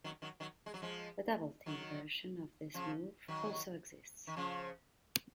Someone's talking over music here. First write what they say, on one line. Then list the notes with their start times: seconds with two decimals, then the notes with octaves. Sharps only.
A double team version of this move also exists.
0.04 D#3 F#3
0.22 D#3 F#3
0.40 D#3 F#3
0.66 G#3
0.74 F#3
0.82 F3 G#3
1.66 D#3 F#3
2.74 C#3 F3
3.28 D#3 F#3
4.27 D#3
4.37 C#3 F3